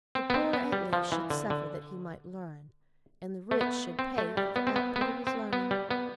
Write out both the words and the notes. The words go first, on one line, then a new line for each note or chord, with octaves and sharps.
The poor at least should suffer that he might learn, and the rich should pay for the output of his learning.
C4
B3
C4
B3
G3
F3
E3
D3
D3
A3
B3
C4
A3
G3
B3
C4
B3
B3
C4
C4
B3
G3
B3